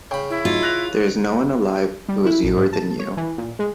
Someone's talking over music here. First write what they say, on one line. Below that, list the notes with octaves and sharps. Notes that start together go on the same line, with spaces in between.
There is no one alive who is youer than you.
C#3 G5 B5
E4
F#3 D#4 F4
F#6 A#6 F7
G3
E4
A#1
G#2
A5
C#5
E3
A#2
G#3